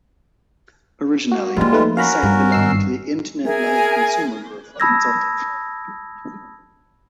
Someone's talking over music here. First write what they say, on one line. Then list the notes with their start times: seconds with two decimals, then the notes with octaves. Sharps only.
Originally, the site belonged to Internet Life Consumer Group, a consulting firm.
1.32 A#3 F#4
1.57 F3 G3 G#3 A#3 F4
1.73 A3 D#4 B4
1.97 C#4 F#4 A#4 F5 A#5 B5
2.23 G2
2.52 G#1 E6 C7
3.45 G#4 A#4 E5 G#5
4.80 A5 B5 D#6 E6 G#6 A#6